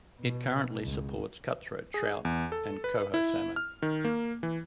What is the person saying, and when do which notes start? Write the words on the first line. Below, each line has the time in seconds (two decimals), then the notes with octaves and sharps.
It currently supports cutthroat trout and coho salmon.
0.21 B2
0.82 C#2
1.94 G#4
2.25 E2
2.52 A4
2.84 B4
3.14 E4
3.56 F6
3.82 D#3
4.05 A#3
4.43 E3